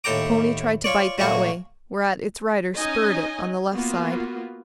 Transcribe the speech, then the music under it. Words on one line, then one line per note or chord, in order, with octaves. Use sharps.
The pony tried to bite that way, whereat its rider spurred it on the left side.
D#2 A2 A4 G5 A#5 D6
F4 C#5 D5
A#2 F#3 A3 A#3 F#4
C#4 D#4 D#5 G#5
A#3 B3 F4 F#4